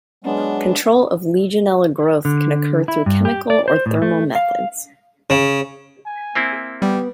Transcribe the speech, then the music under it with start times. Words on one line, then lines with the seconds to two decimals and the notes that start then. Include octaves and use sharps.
Control of "Legionella" growth can occur through chemical or thermal methods.
0.24 F#3 G#3 B3 D4
2.25 D3
2.88 E4
3.06 G2
3.25 G4
3.50 D5
3.68 C5
3.86 A2
4.02 A3
4.35 F5
5.30 C#3
6.06 G#5
6.35 A#3 C4 E4
6.82 G3 B3 G4